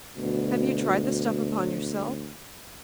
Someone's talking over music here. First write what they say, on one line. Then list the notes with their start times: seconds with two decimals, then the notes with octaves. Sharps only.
"Have you tried the stuff upon yourself?"
0.17 D2 B2